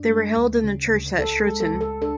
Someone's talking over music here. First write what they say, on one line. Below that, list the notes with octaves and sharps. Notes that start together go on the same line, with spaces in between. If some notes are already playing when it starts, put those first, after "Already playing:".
They were held in the church at Shroton.
Already playing: F#2 D4
G#3
D2
C#3
D2
C#2 A4
G#3
A4
C#2
A4
D4 A4